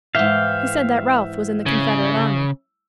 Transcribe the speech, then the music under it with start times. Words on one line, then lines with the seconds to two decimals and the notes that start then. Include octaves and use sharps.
He said that Ralph was in the Confederate army.
0.15 G#2 E3 E5 F5 G5
1.66 C#3